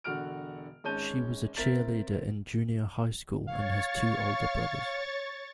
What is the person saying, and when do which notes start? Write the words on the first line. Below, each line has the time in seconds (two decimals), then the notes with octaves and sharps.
She was a cheerleader in junior high school and has two older brothers.
0.04 E1 D3 F#4 F#5 F6 D7
0.84 G#1 G#3 C#4 A5 G6 D#7
1.57 C4 A#4 E5 A6 B6
3.48 C#5 F5 C#6 A6